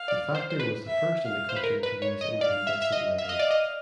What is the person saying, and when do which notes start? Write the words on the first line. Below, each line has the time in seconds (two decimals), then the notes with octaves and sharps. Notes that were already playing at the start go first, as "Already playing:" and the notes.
The factory was the first in the country to use incandescent lighting.
Already playing: F5
0.08 D5
0.35 C5
0.50 C5
0.60 B4
0.85 E5
1.24 F5
1.49 C5
1.56 B4
1.64 A#4
1.83 B4
2.02 C#5
2.21 D#5
2.41 D5 F5
2.67 E5
2.82 E5
2.92 D#5
3.18 E5 F5
3.29 D#5
3.39 D5
3.51 D#5